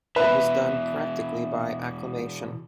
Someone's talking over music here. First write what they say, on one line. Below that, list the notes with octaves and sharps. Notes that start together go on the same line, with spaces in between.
It was done practically by acclamation.
B2 E3 B4 E5